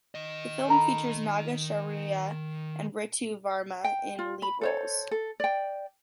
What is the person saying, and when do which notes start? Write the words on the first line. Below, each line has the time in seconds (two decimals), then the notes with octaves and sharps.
The film features Naga Shaurya and Ritu Varma in lead roles.
0.15 D#3 D#5
0.68 A4 A#5 B5
3.84 G5
4.19 F4
4.42 B5
4.61 A4 C5 C#5
5.11 A4
5.40 D5 G5